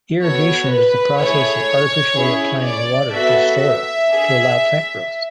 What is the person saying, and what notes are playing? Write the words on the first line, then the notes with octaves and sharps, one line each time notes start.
Irrigation is the process of artificially applying water to soil to allow plant growth.
B3 F#4 A4 C#5
B4
A3 E4 G#4 C#5
C#4 E4 G#4
D5
B3 F#4 A4 E5
E5
D4 G#4